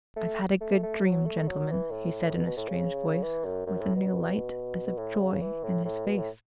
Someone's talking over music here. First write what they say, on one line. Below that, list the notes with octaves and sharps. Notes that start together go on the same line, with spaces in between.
"I've had a good dream, gentlemen," he said in a strange voice, with a new light, as of joy, in his face.
A3
A3
A3
F#3
A3
F#3
E3
A2
B2
B2
A2
C#3
E3
F#2
F#2
A2
B2
B2
A2
C#3
E3
A2
A2
B2
A2